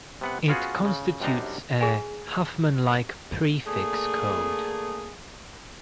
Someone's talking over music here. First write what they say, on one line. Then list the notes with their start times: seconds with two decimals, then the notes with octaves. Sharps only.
It constitutes a Huffman-like prefix code.
0.21 C3 B3 F#5
0.48 B3 C#4 F4 F#4 G#4 C#5
0.85 C#3
1.20 F#2 C3 G3 D4 D#4 A#5
1.81 G#4 G#5
3.67 A3 A#3 D4 G#4